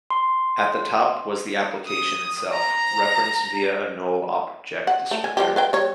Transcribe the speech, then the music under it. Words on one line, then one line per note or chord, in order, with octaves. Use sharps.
At the top was the application itself, referenced via a null object descriptor.
C6
D#6
A#5
F#5
A3
G#5
F3 G3 G4
B4 F5 G5
G3 C#5